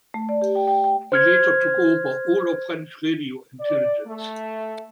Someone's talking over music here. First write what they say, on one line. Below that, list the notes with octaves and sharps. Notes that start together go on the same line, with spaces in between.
He later took over all of French radio intelligence.
A3
D5
G4
G5
G5
G5
C5 F6 G#6
D5
A3